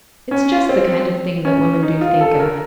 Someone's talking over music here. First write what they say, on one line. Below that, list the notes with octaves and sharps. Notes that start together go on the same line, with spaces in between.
"It's just the kind of thing that women do think of."
C#4
C4
C#4
D#4
F4
A4
A#4